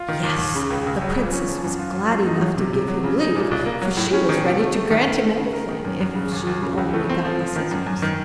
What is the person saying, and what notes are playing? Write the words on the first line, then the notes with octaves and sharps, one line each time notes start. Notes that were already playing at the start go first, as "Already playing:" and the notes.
Yes! the Princess was glad enough to give him leave, for she was ready to grant him anything if she only got the scissors.
Already playing: F4
D#3
D#2
D#2
C#3
C#2
C#2
F#3
A#2
C#4
F3
F#2
F4
F3
F#2
D#4
F#3
C3
C3
F#3
C#3
D#4
A#2
C2
A#3
F#3
A2
C#4
D#3
C3
A3
A3
D#3
D#3
A3
C#3
A#4
D#3
F#2
F#2
C#3
D#2
D#2
C#3
C#2
A3
C4
F3
F3
D#3
F#2
F#2
D#3